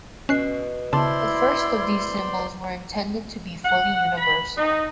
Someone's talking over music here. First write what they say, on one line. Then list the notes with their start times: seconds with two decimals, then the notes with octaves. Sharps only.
The first of these symbols were intended to be fully universal.
0.29 B2 C#4 E5 F#6 C7
0.93 C#3 B3 E4 C5 D5 A5 C6
3.64 F#5
4.17 B5
4.56 D#4